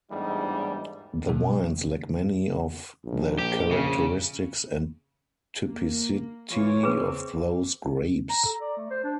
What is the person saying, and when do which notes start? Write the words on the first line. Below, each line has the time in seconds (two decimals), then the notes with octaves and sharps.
The wines lack many of the characteristics and typicity of those grapes.
0.11 A1 E2 G#2 G3 D4 D#4
1.29 B1
3.05 A#1
3.39 G4
3.71 C#3
5.67 A#3
6.49 E3 F4 C#5
6.83 C4 G#4 B4
8.30 A#5
8.45 A4
8.61 D5
8.77 A3
8.90 C5
9.04 D4